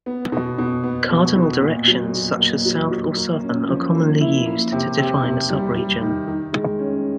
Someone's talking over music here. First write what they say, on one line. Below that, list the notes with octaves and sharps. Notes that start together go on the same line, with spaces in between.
Cardinal directions, such as south or southern, are commonly used to define a subregion.
B3
B2
B2
B3
B2
B2
A#2
F#3
A#2
A#3
F#3
F#3
A#3
C#4
F3
A#3
E4
A#3
C3
C3
C3
G3
G3
D#3
D#3
G#3
C#4